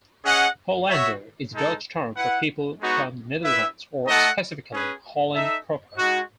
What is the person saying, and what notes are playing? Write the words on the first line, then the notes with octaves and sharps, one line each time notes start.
"Hollander" is a Dutch term for people from the Netherlands, or specifically Holland proper.
C#4 G#4 D#5 F#5
F#4 C#5 E5
G#3 D#4 A4
E4 B4 F#5
G#3 B3 D#4 F#4 C#5
E4 B4 E5
A3 D#4 A4 D#5 F#5
C#4 G#4 B4
D#4 A4 E5
G#3 D#4 F#4